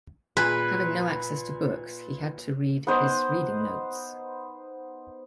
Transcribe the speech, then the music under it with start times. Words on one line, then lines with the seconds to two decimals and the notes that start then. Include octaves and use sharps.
Having no access to books, he had to read his reading notes.
0.37 A#2 B4 G#5 B5
2.87 B3 D#4 C5 D#5